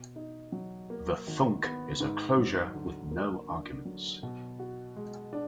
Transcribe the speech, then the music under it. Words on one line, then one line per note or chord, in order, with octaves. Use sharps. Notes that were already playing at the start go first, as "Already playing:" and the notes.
The thunk is a closure with no arguments.
Already playing: B2
D#4
F#3
A#3
G#1
B3
G#2
F#3
D2
A#3
D3
F#3
B2
F#4
G#3
D4